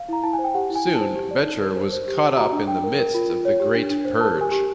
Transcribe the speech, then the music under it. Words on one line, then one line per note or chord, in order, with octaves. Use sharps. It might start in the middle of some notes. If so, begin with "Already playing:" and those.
Soon Becher was caught up in the midst of the Great Purge.
Already playing: F5
E4 A#5
E4 A5
G#5
C5
G5
G4 F#5
E4
G#5
E4
A5
C5
G4
D5
D#4
A#4
C5
C5
G4
G4
F#4 A#5
D4
D4 G5
A#4
A#4
F4
F4
C#5
G4
D4
D4
C5
A#4 A5
G4 G#5
G4